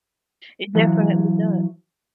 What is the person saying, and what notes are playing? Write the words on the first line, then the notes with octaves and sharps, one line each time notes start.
it definitely does.
E3 F#3